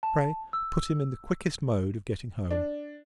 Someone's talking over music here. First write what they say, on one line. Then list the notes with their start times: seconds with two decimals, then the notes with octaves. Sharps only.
Pray, put him in the quickest mode of getting home.
0.03 A5
0.53 E6
2.51 D4